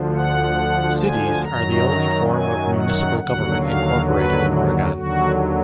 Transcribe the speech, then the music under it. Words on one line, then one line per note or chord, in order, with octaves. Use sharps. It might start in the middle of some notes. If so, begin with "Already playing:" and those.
Cities are the only form of municipal government incorporated in Oregon.
Already playing: D2 D3 F3
F#5
G#5
F#2 D#3 F#3 A#5
G#5
F#5
D#2 D3 F#3 F#5
F5
B4
D#2 D3 F#3 F#4